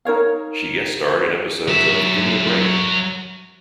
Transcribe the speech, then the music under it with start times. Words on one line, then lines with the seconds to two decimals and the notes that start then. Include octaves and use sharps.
She guest-starred in episodes of Gimme A Break!
0.05 D#4 A#4 C#5 F5
1.68 F#3 E5